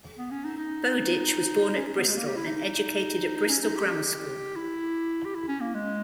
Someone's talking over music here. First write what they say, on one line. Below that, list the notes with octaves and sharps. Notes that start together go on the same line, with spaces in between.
Bowdich was born at Bristol and educated at Bristol Grammar School.
B3
C#4
D#4
D#4
C#4
D#4
B3
G#3
A#3
G4
E4
D#4
D#4
D#4
C#4
D#4
G4
E4
G4
E4
C#4
A#3
G#3